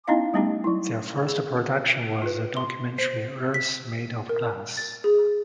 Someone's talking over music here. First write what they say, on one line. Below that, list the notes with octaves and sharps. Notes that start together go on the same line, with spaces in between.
Their first production was the documentary "Earth Made of Glass".
B3 C#4 D#4 E4 D#5 F5
G3 A3 B3 C#4 D#4 G4
F#3 E4
G#4
F4 B4
C6
C5
B6
A#4
A6
G#4